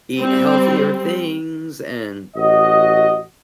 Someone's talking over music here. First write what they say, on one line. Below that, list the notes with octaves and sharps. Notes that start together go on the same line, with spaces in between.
eat healthier things, and,
G3 C4
A1 F#4 D#5